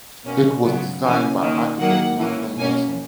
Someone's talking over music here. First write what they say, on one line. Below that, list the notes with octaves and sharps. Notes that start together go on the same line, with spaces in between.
It was designed by architect Langdon Wilson.
B2 A#3 C#4
C#3 F#3 B3
C#3 E3 A#3 C#4 G#5
D#3 A#3 C#4
D#3 F#3 A#3 F#5
E3 A#3 C#4
B2 A#3 C#4 G#5